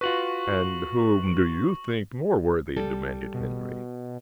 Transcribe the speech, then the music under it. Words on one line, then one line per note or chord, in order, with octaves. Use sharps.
"And whom do you think more worthy?" demanded Henry.
F4 F#4 B4 C#6 A#6 F#7
G3 A4
B2